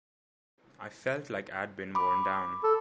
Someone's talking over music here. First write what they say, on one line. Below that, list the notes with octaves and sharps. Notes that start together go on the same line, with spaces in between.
I felt like I'd been worn down.
B5 D6
A4